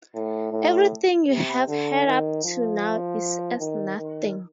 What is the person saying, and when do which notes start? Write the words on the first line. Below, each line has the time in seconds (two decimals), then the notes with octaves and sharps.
Everything you have heard up to now is as nothing.
0.14 A2
0.52 A2
1.29 C3
1.68 D3
2.06 D#3
2.45 F3
3.59 D#3
3.97 D#3